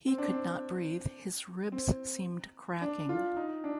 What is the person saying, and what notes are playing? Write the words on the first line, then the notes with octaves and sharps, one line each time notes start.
He could not breathe, his ribs seemed cracking.
C4
D4
C4
C4
D4
F4
D#4
D4